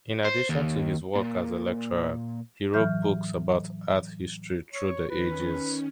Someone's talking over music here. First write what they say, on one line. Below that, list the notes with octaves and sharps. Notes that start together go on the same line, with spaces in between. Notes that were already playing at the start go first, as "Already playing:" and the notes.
In addition to his work as a lecturer, he wrote books about art history through the ages.
C5
D#2
A#2
A2 E3 F#3 E5 F6 G6
C#5
D#3 C#4 B4